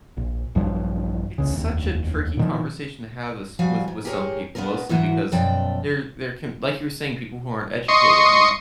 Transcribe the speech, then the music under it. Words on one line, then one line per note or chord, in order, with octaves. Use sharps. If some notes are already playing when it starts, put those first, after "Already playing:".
it's such a tricky conversation to have this with with some people, mostly because there there can like, you were saying, people who aren't educated, I mean,
A#1
A#1 G2 F3 F#3
D#1 C#2 C#3
F1 D#2
A#2 D#3 F3
F3 G3 F#4 D5 F5 G#5
G#2
G4 G#4 A#4 C5 C#5
B3 D4 F4 G#4 A#4
G#2 E3 F#3 F#4
F#2 B2 F3 D5 G5 A5
D#5 C6 C#6